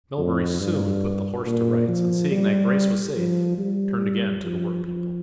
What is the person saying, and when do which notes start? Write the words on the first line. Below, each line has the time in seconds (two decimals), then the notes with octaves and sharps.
Melbury soon put the horse to rights, and seeing that Grace was safe, turned again to the work-people.
0.18 F2
0.61 G2
1.46 A#2
1.88 F3
2.31 G3
3.16 F3
3.58 G3
4.43 F3
4.85 F3